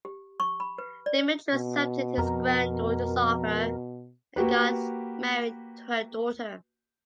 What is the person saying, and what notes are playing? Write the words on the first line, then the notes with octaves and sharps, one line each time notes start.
Demetrius accepted his granddaughter’s offer and got married to her daughter.
G4
C#6
B5
B4
D5
B2
F2 A#4
A#3 F#4 G4 B4